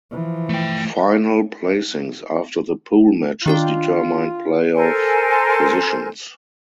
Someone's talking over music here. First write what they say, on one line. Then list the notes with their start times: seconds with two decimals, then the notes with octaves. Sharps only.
Final placings after the pool matches determined playoff positions.
0.11 E3 F3
0.49 A3 G5
3.46 D#3 D4 F4 G5
4.74 A4 A#4 C5 G#5